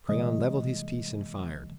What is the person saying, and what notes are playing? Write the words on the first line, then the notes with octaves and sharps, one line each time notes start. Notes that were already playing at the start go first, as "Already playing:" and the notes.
Crayon leveled his piece and fired.
C3 E3 G3 G#3 A#3 D#5